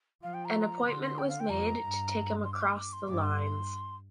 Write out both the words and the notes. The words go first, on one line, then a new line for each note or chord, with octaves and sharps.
An appointment was made to take him across the lines.
F3 F5
G5
A#5
D3 C6
C6
G5
F5
G5
F2 A#5
G2
C6
D6
C6
D6
C6
G2 D6
C6